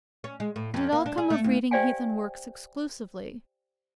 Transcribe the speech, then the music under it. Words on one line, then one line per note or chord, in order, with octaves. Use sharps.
It had all come of reading heathen works exclusively.
C#4
G#3
A2
F2
A#3
D4
G#4
A3
D#2
G4 C5 D5 F5 G5 G#5